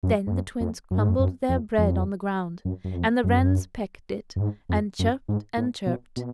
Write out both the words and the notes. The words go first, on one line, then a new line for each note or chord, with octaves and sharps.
Then the twins crumbled their bread on the ground, and the wrens pecked it, and chirruped and chirped.
F#2
G#2
F#2
F2
F#2
G#2
F#2
F#2
F2
F2
F#2
F#2
F2
F#2
F#2
G#2
F2
F#2
G#2
A2
B2
B2